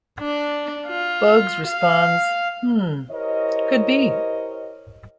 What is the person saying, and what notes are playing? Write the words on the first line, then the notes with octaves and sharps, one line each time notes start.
Bugs responds Hmm... Could be!
D4
F4
F5
E4 G4 A#4 C5 C#5 D#5